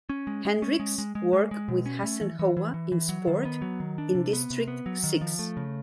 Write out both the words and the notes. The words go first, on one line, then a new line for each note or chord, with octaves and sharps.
Hendricks worked with Hassen Howa in sport in District Six.
C#4
G#3
G#3
C#4
G#3
G#3
G#3
G#3
G#3
B2
C#4
A3
E3
E3
E3
E3
E3
F#3
D#3
B3
F#3
D#3
D4
C3
B3
C3
B3
F#3
D#3
F3
A3
C#3